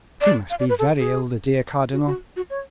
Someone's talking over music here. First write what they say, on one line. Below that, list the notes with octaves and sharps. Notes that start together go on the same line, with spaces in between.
"He must be very ill, the dear cardinal!"
D5
F5
D5
B4
A4
G#4
F#4
F#4
F#4
C#5